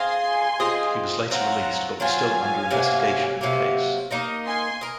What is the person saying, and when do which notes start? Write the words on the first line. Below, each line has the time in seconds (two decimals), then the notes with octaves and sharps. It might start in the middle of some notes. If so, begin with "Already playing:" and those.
He was later released but was still under investigation in the case.
Already playing: C4 F4 G#4 D#5 G#5 C6
0.60 C4 F4 G#4 D#5
1.30 F#3 C4 F4 F#5 A#5
2.00 F#3 C4 F4 F5 G#5
2.71 C3 F#3 A#3
3.41 C3 F#3 A#3
4.11 A#3 D#4 A#4 D#5
4.46 G#5 C6
4.81 A#4 D#5